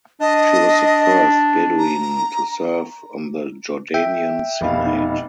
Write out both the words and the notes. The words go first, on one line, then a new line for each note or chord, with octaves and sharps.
She was the first Bedouin to serve on the Jordanian Senate.
D4 D#5
A#5
E5 G5
F1 B2 F5
D#4